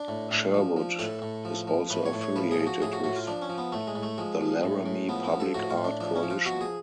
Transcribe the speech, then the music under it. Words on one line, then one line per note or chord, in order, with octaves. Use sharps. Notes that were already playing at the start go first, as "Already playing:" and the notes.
Sherwood is also affiliated with the Laramie Public Art Coalition.
Already playing: D4
A2
A2
F3
F3
A2 A4
A2
F3
F3
A2 B4
C#5
A2
C#5
F3 B4
G#4
F3
F#4
A2 G#4
F#4
A2 F#4
F4
F3 D4
C#4
F3
B3
A2 A3
G#3
A2
A3
F3 G#3
F3
A2
A2
F3 B3
B3
F3
A4
A2 F#4
F4
A2
D4
F3 D4
C#4
F3
F4
B2 F#4
G#4